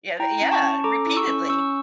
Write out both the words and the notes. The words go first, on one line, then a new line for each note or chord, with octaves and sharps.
Yeah, th yeah, repeatedly.
E4 G5 A#5
C#4
A5 C#6
C#4
A4 A#5 D6
E4
C#6 E6
C#4
C#4 C#6 E6